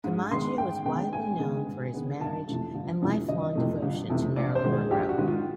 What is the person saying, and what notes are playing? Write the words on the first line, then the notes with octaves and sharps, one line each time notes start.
DiMaggio is also widely known for his marriage and lifelong devotion to Marilyn Monroe.
G#2
D#3 G#3 B3 C6
G#2 G5
D#3 G#3 B3 G5
G#2 G#5
D#3 G#3 B3
G#2
D#3 G#3 B3
G1 A5
F2 C3 E3 A3
G1
F2 C3 E3 A3
G1 D#5
F2 C3 E3 A3
G1
F2 C3 E3 A3
A#1 D5
C5
G#2 D#3 G#3
G#4
A#1 G4
F#4
G#2 D#3 G#3
F4